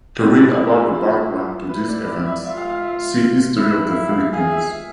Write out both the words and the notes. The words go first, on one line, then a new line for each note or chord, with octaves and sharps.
To read about the background to these events, see History of the Philippines.
C4 D4
E4
D4 E4
F4
G#4
F4
E4 B4
D5
D5
E5
F4 E5
F5
F5
E5
E4
F5
E5
F5
E5
G#4 F5
E5